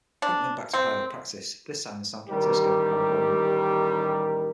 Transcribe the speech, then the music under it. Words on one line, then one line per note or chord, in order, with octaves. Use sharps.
Hunt went back to private practice, this time in San Francisco, California.
D4
C4
A1 D#3 G3 G4 A#4